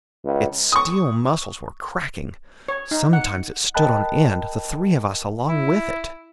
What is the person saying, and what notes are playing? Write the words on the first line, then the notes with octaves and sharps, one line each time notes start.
Its steel muscles were cracking. Sometimes it stood on end, the three of us along with it!
C#2
C#6 D#6
C#5
D#4
F#5
A#4 D#5 G5 A5 B5 F#6
E4